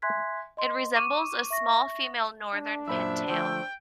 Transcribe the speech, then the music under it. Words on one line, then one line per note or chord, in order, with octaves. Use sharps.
It resembles a small female northern pintail.
E5 G#5 C6 F#6 G#6 B6
D#5 C6
C#6 D6 D#7 E7
E5 C#6 A#6
D4
F#2 A#2 F#3 C5 E5 B5 E6
D3 F3 A3 C5 G5 E6